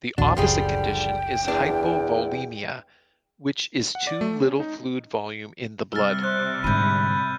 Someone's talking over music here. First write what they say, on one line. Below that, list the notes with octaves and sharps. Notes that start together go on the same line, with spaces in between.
The opposite condition is hypovolemia, which is too little fluid volume in the blood.
A#1 D#2 D4 F#4
F#1 C#2 D3 F3 G3 G#4 G5
E2 D4
F#5
D5
A3
C#4
D#4
C3 G3 E6 F6 A6
C5 F#6
G#2 D3 B5 G6 D#7